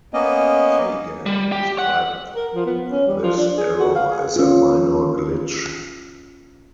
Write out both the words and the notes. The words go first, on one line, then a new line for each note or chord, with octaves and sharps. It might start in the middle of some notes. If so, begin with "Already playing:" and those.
Fagan described this error as a "minor glitch".
A#3 B3 C#4 D#5
G3
G4
F#5
A#4
F3
B3
C#4
G3
F3
D4
G#4
F#4
F5
G#4
C#4 F4